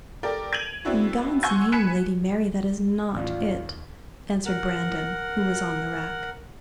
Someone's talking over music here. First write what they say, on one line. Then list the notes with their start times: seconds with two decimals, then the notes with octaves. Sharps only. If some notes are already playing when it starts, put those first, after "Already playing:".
"In God's name, Lady Mary, that is not it," answered Brandon, who was on the rack.
0.23 G4 A4 A#4 D5
0.53 G#6 D7 D#7 F7 F#7
0.85 B3 C4 D4 E4 F#4
1.43 F#5 G#5 C6 C#6 E6 G#6
1.72 G#5 B5 F#6 B6 C#7 E7
3.15 A1 D#2 F4 D5
4.46 A#4 F#5